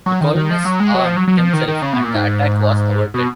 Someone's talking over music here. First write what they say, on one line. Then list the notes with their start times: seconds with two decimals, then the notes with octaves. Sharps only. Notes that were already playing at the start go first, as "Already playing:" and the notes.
The colonists armed themselves, and the attack was averted.
0.06 F#3
0.21 D#3
0.35 D#3
0.50 F3
0.65 F#3
0.80 G#3
0.94 F#3
1.04 F3
1.16 F#3
1.27 F#3
1.37 F3
1.53 D#3
1.68 D#3
1.82 C#3
1.93 B2
2.04 A#2
2.14 G#2
3.14 B2